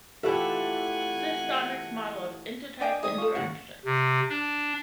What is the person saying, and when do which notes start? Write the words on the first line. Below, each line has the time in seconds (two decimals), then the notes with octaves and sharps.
Socionics model of intertype interactions.
0.23 E3 A3 F4 G4 A4 E5 F#5 G#5
2.81 D4 D5 D#5 G5 G#5
3.03 G#3 C4 D#4 G#4 D#6
3.18 F4 A4 C#6
3.35 D#2 A2 C#3 F#5
3.85 C3
4.29 D4